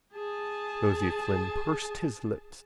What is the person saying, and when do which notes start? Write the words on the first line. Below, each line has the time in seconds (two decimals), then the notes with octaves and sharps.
Nosey Flynn pursed his lips.
0.14 G#4 A5